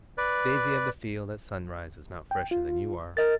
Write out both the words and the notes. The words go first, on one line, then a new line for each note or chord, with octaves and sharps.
The daisy of the field, at sunrise, is not fresher than you are.
B4 D5
G5
F4
A#4 D#5 A6